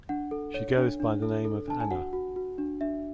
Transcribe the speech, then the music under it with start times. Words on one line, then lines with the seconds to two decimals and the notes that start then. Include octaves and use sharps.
She goes by the name of Anna.
0.09 D4 F#5
0.31 A4
0.54 C#5
0.77 D4
1.00 D4
1.22 A4
1.45 A4
1.68 D4 A5
1.80 G#5
1.90 F#4 F#5
2.13 F#4
2.36 F#4
2.58 D4
2.81 D4 E5